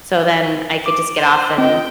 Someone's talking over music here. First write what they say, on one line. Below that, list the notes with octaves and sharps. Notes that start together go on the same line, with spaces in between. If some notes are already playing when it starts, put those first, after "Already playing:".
so then, I could just get off and,
D6
C5
C#2 C4 D#5 G5